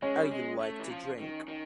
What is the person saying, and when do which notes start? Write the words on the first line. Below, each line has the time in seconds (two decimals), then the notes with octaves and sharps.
I like to drink.
0.02 G#3 C#4
0.22 G3
0.31 G#3
0.61 A3
0.79 E3
0.90 F3
1.19 D#3
1.48 D#3